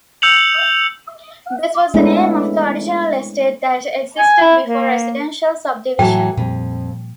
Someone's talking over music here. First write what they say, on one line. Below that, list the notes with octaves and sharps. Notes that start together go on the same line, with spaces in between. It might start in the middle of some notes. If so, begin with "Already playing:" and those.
This was the name of the original estate that existed before residential subdivision.
E6 G6 C#7 F7 F#7
G#3 A3 B3 C#4 D4 E4
G#5
E4
A#3
A2 E3 F#3 A4 G5
F2 A#2 F3 G3